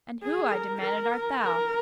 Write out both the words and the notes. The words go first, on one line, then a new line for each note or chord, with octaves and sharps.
"And who," I demanded, "art thou?"
G#4
A#4
A#4
A#4